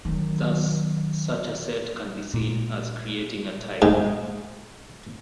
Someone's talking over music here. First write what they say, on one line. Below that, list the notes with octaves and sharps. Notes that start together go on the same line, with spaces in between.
Thus, such a set can be seen as creating a type.
D#3 F#3
A#2
G#2